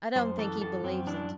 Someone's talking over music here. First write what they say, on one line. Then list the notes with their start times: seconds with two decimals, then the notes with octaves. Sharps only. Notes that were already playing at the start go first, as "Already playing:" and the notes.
I don't think he believes it.'
0.16 F#2 C5
0.38 E3 A4
0.61 F#2 A4
0.84 F#2 C4
1.07 E3 D4